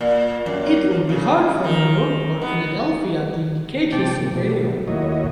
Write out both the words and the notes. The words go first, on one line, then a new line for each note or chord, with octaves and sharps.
It would be hard for New York or Philadelphia to indicate his superior.
A#2
F#2
C#3
D#3
B3
C3 C4 G5 A5 D6
G#2 C3 A#3
B2 F#3 G3 A3
D#2 A#3 E4 F#4 C#5 D#5